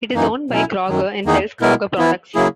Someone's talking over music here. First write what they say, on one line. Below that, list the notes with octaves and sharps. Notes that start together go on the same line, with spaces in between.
It is owned by Kroger and sells Kroger products.
F#2 E3 A#3 D#4
B2 F#3 C#4 E4
F#2 D#3 F#3
E2 D#3 A#3 D#4 G#4
B2 G#3 B3 E4 A#4
E3 B3 E4
C#3 F#3 A#3 E4 G#4